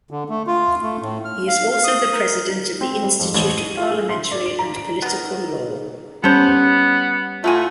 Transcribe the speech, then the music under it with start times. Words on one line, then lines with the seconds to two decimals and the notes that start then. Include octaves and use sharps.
He is also the President of the Institute of Parliamentary and Political Law.
0.11 D3
0.29 A3
0.47 F4
0.82 A3
1.01 A2
1.25 F6
1.48 F5
1.71 F5
1.84 D#6
2.12 A#4
2.81 C4
3.03 G3
3.19 F2
3.34 A1
3.58 D#7
3.77 F4
3.91 G#4
4.09 C6
4.32 D5
4.46 D7
4.59 A#5
4.76 D7
5.02 B3 A#4
6.24 G3 B3 C#4 A4 C5
7.44 A2 A3 F4 F#5 G#5